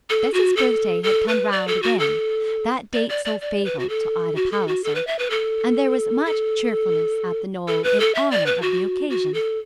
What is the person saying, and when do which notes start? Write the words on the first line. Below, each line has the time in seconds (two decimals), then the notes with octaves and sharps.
Bessie's birthday had come round again--that date so fatal to Ida Palliser--and there was much cheerfulness at The Knoll in honour of the occasion.
0.10 A4
0.33 F#4
0.56 A4
1.03 A4
1.28 B4
1.52 D5
1.68 A4
1.82 F#4
1.99 A4
2.93 D5
3.09 D5
3.25 D5
3.41 D5
3.65 B4
3.79 F#4
3.89 A4
4.36 F#4
4.51 A4
4.68 F#4
4.84 A4
4.95 B4
5.07 E5
5.19 B4
5.30 A4
6.26 A4
7.68 A4
7.84 B4
8.00 A4
8.15 E5
8.31 D5
8.46 B4
8.62 F#4
9.10 F#4
9.34 A4